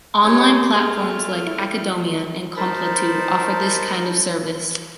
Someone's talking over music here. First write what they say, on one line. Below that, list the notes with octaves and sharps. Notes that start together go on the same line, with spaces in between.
Online platforms like Acadomia and Complétude offer this kind of service.
G#3 B3 D#4 G4 C#5
A3 G#4 F6
E4
D#4 A#4 C5 A5 B5